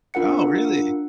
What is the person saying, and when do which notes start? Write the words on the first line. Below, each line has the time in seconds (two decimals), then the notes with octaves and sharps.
Oh, really?
0.14 D4 F4 A#4 F#5 C#7